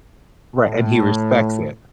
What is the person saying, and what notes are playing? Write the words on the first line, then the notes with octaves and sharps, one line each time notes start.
Right, and he respects it.
A2